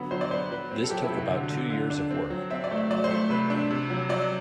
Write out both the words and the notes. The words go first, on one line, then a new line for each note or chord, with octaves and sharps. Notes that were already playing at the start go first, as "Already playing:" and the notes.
This took about two years of work.
Already playing: D3 F#3 B3
F#3 C5
D5
B3 C5
F#3 B4
C4
A4
F#3 G4
E4
C3
F#4
D3
D3
D3
D4
C4
F#3
C4 E5
D5
A3
E5
F#3 D5
C5
A3
C3 B4
D4
C3
F#3
F#3 D5